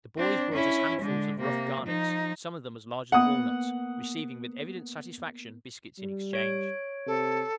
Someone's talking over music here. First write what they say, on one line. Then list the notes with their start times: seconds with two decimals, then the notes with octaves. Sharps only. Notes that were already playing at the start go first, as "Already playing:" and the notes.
The boys brought us handfuls of rough garnets, some of them as large as walnuts, receiving with evident satisfaction biscuits in exchange.
0.18 C4 D4
0.52 C#4 E4
1.02 D3 G#3
1.40 C3 A#3
1.84 F3 D#4
3.12 A#3 B3 F#5 D#6
5.99 G3
6.33 C#5 D7
7.07 C3 A4